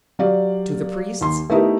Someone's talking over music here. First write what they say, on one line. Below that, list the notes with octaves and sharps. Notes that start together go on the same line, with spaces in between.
"To the priests?"
F#3 G4 D5 F5
D#2 C6
A3 B3 D#4 E4 G4 A#4